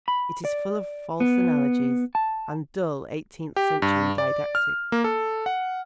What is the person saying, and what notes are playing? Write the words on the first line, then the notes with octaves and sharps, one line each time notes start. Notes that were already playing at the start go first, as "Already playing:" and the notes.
It is full of false analogies and dull eighteenth-century didactics.
B5
D5
B3
A5
G4
G2
D5
F6
A#3
A4
F#5